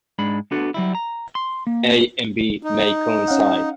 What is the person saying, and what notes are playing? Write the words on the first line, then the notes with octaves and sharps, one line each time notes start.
"A" and "B" may coincide.
G#2 G#3 D4 B5
B3 D4 F#4 A4
F#3 G3 E4
A#5
C6
A#3
D#4
C#4 F5 F#5